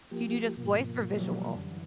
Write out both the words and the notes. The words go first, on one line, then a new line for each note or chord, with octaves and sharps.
Do you do just voice or visual,
F3 A#3 G4
G#2 B2 F3 A#3
E3 F#3 G3
F#2 D3 E3